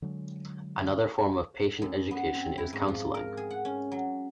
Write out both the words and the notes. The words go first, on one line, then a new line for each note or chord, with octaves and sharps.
Another form of patient education is counseling.
D3 F#3 G#3
F#2
B3
C4
E4
G#2
F3
A#4
G#4
F#5
C#4
F#3